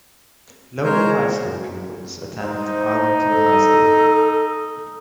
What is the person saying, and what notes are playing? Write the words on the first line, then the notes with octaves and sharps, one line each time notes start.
Local high school pupils attend Arlington High School.
G#3 A#4 C5 C#5
D#4 C5
A4